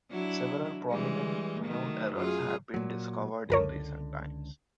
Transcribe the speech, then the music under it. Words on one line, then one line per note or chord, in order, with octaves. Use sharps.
Several prominent mule errors have been discovered in recent times.
F#3 D4 E4
E3 G3 G#3
D#3 F#3 A3
F#2 F4 G#4
A#2 F#3
C#2 F#2 D3 A#4 C#5